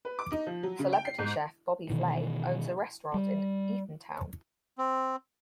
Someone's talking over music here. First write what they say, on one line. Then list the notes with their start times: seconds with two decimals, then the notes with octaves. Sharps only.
Celebrity chef Bobby Flay owns a restaurant in Eatontown.
0.05 B4
0.19 D6
0.32 D#4
0.47 F3
0.63 F#3
0.79 C#3
0.93 G5
1.05 C7
1.19 G#2
1.90 B2 D#3 E3
3.14 G3
4.78 C4